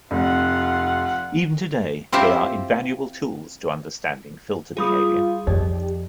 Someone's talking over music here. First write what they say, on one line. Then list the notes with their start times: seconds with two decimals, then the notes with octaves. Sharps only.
Even today, they are invaluable tools to understanding filter behavior.
0.11 F1 F4 F#5
2.12 C4 E4 F4 G4 C5 E5
4.77 G3 F4 G#4 E5 B5 D#6
5.47 F2 D#4 G4 D5 D#5